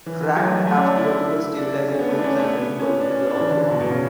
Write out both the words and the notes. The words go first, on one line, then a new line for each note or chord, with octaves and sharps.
Cracked aft vertical stabilizer tubes and main bulkheads are also common.
E3
F#3
A3
G3
A3
C#4
D4
E4
D4
C#4
B3
A3
D4
C#4
D4
A3
B3
C#4
D4
C#4
D4
D4
E3
D3
B2
B2
C#3